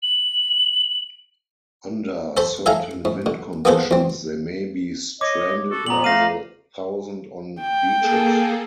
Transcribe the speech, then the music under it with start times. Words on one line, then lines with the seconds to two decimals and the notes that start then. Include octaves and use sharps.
Under certain wind conditions, they may be stranded by the thousand on beaches.
0.03 F#7
2.37 A4 C5 A5 B5
2.66 A4 E5 F5 G#5 A#5
3.05 G#2
3.26 D3
3.65 A#3 B3 G#4 A4 B4 C5
3.91 E2 C4
5.21 C#5 D#5 D6
5.70 F#4 A4
5.86 A#2 B3 A#5 F#7
6.04 A3 F5 A#6 D#7
7.62 G5
8.00 A#3 G#4 A4